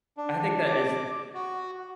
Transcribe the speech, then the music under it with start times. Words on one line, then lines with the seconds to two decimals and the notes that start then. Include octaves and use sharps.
I think that is,
0.17 D4
0.67 D6
1.34 F#4